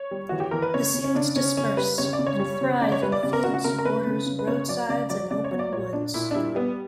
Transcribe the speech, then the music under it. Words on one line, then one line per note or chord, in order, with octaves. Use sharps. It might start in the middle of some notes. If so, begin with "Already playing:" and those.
The seeds disperse and thrive in fields, borders, roadsides and open woods.
Already playing: C#5
G3
E3 F#4
G4
E3 A#4
B4
C#3 C#5
C#3
C#4
C#3 D4
C#3 C#4
C#3 C#4
G3 B4
C#3 C#5
D5
C#3
C#5
G3
C#3
C#3 D5
C#5
G3 B4
D5
C#3 D5
A#4
C#3 F#4
F#4
C#3 A#4
A#4
C#3 B4
C#3
C#3
B4
C#3 C#5
F#3 D5
C#3 D5
F#3 D5
C#3 D5
C#5
F#3
D5
A#2 C#5
A#2 D4
A#2 E4
D4
G3 E4
G3 B3